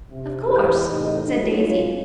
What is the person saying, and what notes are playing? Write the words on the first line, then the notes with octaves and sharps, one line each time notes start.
"Of course!" said Daisy.
C3
E2 G4
E2 A2 C3 D#4 D#5
D4 E4 F#4
F#3 G#3 D#4 F4 C#5